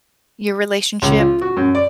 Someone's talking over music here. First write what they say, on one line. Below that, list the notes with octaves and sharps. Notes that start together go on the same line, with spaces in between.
your relationship?
C#2
F4
F#4
F#2
D5